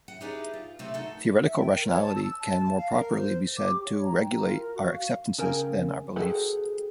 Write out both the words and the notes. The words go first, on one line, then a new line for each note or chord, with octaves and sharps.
Theoretical rationality can more properly be said to regulate our acceptances than our beliefs.
F#5
D#4 E4 G4 G#4 B4 D5
F4
C3 A3 C4
D#4 F#4 A4
E5
G5
A#4
C#5
A5
E6
A5
F5
A#4
C5
D6
G4
C#5
A#5
G5
A#5
F4
A#4
F#4
F5
C#3 A#4 G5 G#5
F#4 G#4 A4 B4 F#5 G5